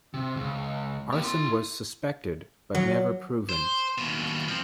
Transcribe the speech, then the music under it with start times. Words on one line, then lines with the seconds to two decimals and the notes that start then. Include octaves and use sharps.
Arson was suspected but never proven.
0.14 C3
0.36 C#2
1.12 A#3 G4
1.24 E4 C6
2.75 F#3
3.49 C5
3.98 D#2 B2
4.48 F3 C4